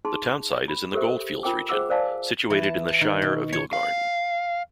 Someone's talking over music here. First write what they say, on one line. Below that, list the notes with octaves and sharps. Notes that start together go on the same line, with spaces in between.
The townsite is in the goldfields region, situated in the Shire of Yilgarn.
D#4 G#4 A5 C6
B5
G4 A4 A#4 C5 E5
F4 A#4 G5 G#5 D6
G#4 C5 E5 F#5 D6 E6
A#4 C5 D5 F5 G#5 A5
E3
A5
A5
D#3
B2
C#5
F5